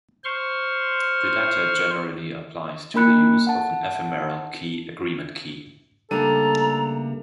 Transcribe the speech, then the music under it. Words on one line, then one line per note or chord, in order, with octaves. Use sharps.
The latter generally applies to the use of an Ephemeral Key Agreement Key.
C5 C6 C#6 F6
A#3 D4 A#4 B5 F#6 C#7
F#5 A5
C#3 G3 A3 A#3 D4 A4 A#5 D#7